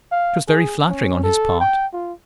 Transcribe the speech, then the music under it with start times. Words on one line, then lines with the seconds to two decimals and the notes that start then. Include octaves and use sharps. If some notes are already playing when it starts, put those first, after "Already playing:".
It was very flattering on his part.
0.12 F5
0.48 G#4
0.89 C#4
1.23 A4
1.61 G5
1.93 F4